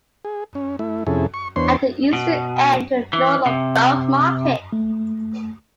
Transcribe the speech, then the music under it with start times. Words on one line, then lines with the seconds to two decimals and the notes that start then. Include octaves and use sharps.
At the eastern end to the north is Borough Market.
0.25 G#4
0.55 C#4
0.79 A3 E4
1.07 F2 C3 C#4 E4 G#4 A4
1.34 C#6
1.56 E2 B3 D4 C5 C#5 C6
2.13 B2
3.13 E3
3.46 C3
4.73 A3